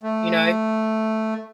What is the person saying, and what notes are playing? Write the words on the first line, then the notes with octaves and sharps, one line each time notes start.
you know?
A3